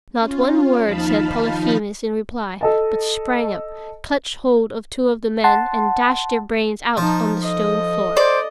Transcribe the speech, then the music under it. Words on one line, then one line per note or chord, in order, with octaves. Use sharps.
Not one word said Polyphemus in reply, but sprang up, clutched hold of two of the men, and dashed their brains out on the stone floor.
C#4 F4
D#2 F3 D#4 F5 A5 B5
A4 D#5 A5
F#5 A5 C6
F3 D#4 A5
A4 D#5
C5 D5